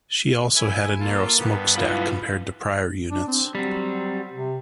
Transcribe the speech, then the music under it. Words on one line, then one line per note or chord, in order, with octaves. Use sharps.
She also had a narrow smokestack compared to prior units.
E4 G#5
A#3 F4 A4
G2 B3
E4 F4 B4 F5
D4
C4
F#3 G3 C4
C3